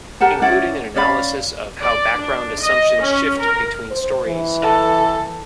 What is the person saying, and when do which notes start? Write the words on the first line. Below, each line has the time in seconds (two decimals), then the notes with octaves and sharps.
Including an analysis of how background assumptions shift between stories.
0.21 G4 A#4 F#5 A5
0.42 C#4 E4 D5 F#5
0.96 C#4 D5 F5 B5
1.81 D5
2.18 D4
2.61 D#5
3.00 C#4
3.38 A#4
3.91 C5
4.28 E3
4.62 A4